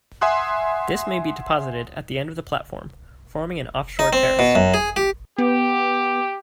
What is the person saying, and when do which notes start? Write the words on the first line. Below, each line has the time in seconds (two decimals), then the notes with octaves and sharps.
This may be deposited at the end of the platform, forming an off-shore terrace.
0.21 E5 F#5 G#5 C6 D#6 F#6
3.99 D#4
4.13 C4
4.39 B2
4.55 F#2
4.74 G#4
4.96 G4
5.38 B3 G4